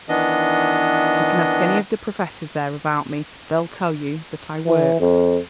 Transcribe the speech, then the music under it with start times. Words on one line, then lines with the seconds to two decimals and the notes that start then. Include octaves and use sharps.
You can ask any of the professors there about me. They'll tell you that I worked.
0.09 D#3 E3 B3 D4 D#5
4.65 E3
5.00 F2